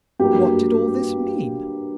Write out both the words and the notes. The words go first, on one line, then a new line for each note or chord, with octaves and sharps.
What did all this mean?
G2 F#3 A#3 G4